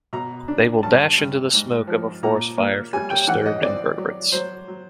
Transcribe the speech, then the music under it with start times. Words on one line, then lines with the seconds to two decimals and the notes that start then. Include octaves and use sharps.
They will dash into the smoke of a forest fire for disturbed invertebrates.
0.13 B2 A#5
0.48 D4
0.83 G2 A5
1.17 G2
1.53 G#2
1.87 F3
2.23 A#2 A#5
2.57 A#3
2.93 G3 G#5
3.10 G5
3.27 E3 F#5
3.46 D#5
3.62 C4 D5
3.98 F#3
4.32 F#3 C5
4.68 F#3